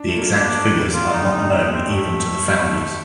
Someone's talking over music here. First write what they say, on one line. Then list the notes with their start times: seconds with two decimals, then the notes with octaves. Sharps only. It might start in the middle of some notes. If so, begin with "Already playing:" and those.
The exact figures are not known even to the founders.
Already playing: D4
0.09 A3
0.17 A#3
0.22 A3
0.37 A#3 D4
0.51 A#3
0.66 C4
0.94 D3 F4
1.08 D3
1.13 D#4
1.22 G3 F4
1.32 G3 D#4
1.51 F3 D#4
1.70 C4
1.88 A3
2.65 D#3